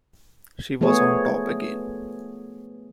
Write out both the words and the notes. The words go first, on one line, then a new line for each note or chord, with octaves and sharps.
She was on top again.
F3 A3 B3 G#4 C#5